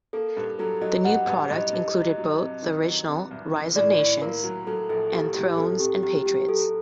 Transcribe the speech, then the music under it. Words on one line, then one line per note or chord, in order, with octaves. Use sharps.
The new product included both the original "Rise of Nations" and "Thrones and Patriots".
A#3 A4
G2
F#3 A4
F#3 D#5
G2 F#5
G2
G2 D#5
G2
F#3
F#3
C3
D#3
F#3
C3
C2
D#3
A2 D5
A2
A#3 A#4
F#3
F#3 A4
A#1 A4
A#3 G4
A2 G4
C2 A4
C3 G4
F#3 G4
F#3 G4
F#3 A4